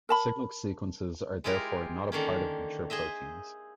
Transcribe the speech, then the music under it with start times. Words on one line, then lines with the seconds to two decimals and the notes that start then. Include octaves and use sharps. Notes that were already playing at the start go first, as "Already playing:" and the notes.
Signal sequences are therefore not a part of mature proteins.
0.09 A#4 A5 B5
1.44 G#3 E4 F4 G4 A#4
2.12 D3 D#3 A#3 C#4
2.90 G#4 C5 D#5 E5